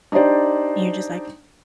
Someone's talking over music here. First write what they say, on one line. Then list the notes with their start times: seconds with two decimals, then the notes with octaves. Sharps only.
And you're just like,
0.12 D4 D#4 G4 C5 D5